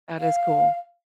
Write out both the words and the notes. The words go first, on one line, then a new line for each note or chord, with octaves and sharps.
That is cool.
F5